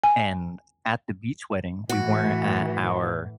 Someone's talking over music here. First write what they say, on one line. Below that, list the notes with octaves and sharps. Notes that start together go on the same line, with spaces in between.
and at the beach wedding, we weren't at our,
G#5
A2 E3 F#4